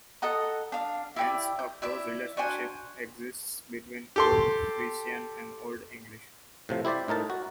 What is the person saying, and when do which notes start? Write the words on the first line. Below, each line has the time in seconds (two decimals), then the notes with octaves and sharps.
Hence, a close relationship exists between Old Frisian and Old English.
0.22 A4 D#5 F#5 A#5
0.72 D4 F5
1.16 E4 G4 D5
1.59 G6
1.82 E4 D5 E5
2.37 D4 F#4 C5 G#5
4.16 G4 A4 C6
6.69 A2 C3 F3
6.85 E4 G4 C5 D5 E5
7.08 A2 D#4 A#4 A5
7.30 F#4